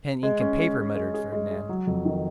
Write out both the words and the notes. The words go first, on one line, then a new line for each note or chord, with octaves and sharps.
"Pen, ink, and paper," muttered Fernand.
G#3
C#4
G#3
G#3
G#3
G#4
G#3
G#3
F#3
F2
D#3